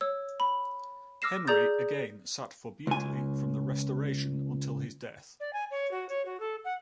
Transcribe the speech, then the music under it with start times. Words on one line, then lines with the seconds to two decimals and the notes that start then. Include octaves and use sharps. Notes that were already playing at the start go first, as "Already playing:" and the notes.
Henry again sat for Bewdley from the Restoration until his death.
0.01 C#5 E6
0.40 B5
1.22 D6 E6 F6 A#6 C7 E7
1.47 G#4 D5 A#5 D#6 G6 A6
2.87 C#2 G#5
5.40 D5
5.53 G#5
5.71 C#5
5.91 F#4
6.09 C#5
6.25 F#4
6.40 A4
6.65 F#5